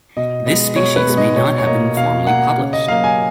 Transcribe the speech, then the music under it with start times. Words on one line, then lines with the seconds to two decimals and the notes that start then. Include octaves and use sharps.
This species may not have been formally published.
0.17 B2 D#5
0.46 G#3 B3 D#5
0.76 B2 C#5
0.96 B4
1.07 G#3 B3
1.17 D#5
1.37 B2 C#5
1.58 C#5
1.66 A#3 D#5
1.97 B2 F5
2.27 A#3 F#5
2.58 C#3
2.73 D#5
2.87 F#3 A#3 F5
3.04 G#5